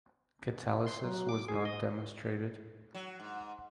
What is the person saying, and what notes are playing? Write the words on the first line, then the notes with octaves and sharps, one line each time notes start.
Catalysis was not demonstrated.
C6
F#3
D6
G#4
D#5
F#3
G#2